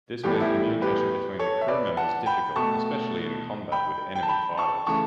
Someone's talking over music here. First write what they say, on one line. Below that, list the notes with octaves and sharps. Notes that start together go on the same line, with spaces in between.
This made communication between the crew members difficult, especially in combat with enemy fighters.
A2 E3 G3 B3 G4
A4
E4 G4
G4 B4
A4 C#5
E5
B4 D5
F#5 A5
G5 B5
B2 A3 A5 C#6
G5 B5
G5
A5
G5 B5
A5 C#6
C#3 E3 A3 A5 C#6